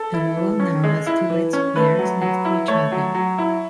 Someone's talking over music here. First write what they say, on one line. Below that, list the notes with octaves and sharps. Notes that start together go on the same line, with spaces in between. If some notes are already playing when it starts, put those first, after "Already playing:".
The logo now has two red squares next to each other.
Already playing: A4
E4
E3
C#4
G#3
E4
E3
C#4
A3 B4
F#3
F#3
E4
A3 C#5
F#3
F#3
E4